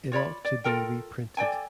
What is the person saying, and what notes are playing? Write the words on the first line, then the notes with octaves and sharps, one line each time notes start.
It ought to be reprinted.
F4 C#5 D5 B5
D5
F4 A4 A#4 G5
A4 D5 G5 G#5